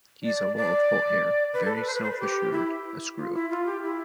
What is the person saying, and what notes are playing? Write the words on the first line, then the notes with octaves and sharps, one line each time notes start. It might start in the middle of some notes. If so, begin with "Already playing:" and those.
He's a lot of hot air, very self-assured, a screw-up.
D5
D5
B4
A4
B4
C5
B4
C5
B4
G4
E4
F4
E4
F4
G4
E4